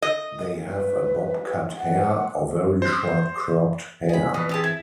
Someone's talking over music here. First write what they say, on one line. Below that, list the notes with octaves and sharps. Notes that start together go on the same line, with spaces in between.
They have a Bob cut hair or very short cropped hair.
D#5
B4
F#5
C5
E2 G#4 B5
A#1 B4 D#5
B3 C4 G4 G#4 A5
E4 G#6